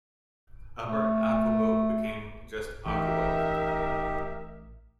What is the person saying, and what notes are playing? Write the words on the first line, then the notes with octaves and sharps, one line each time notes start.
Upper Aquebogue became just Aquebogue.
A3
A1 D#4 G4 A#4 E5